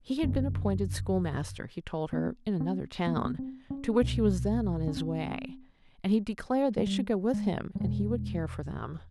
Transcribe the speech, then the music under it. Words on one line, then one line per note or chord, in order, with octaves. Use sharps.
He had been appointed schoolmaster, he told her, in another town, to which he was then on his way, and he declared they should go with him and he would care for them.
G#1 F#2 D3 A#3
B3
C4
B3
A#3
B3
C4
C#4
C2 B2
C#4
C4
G#3
G3
G#3
G3
E1 E2 B2 G#3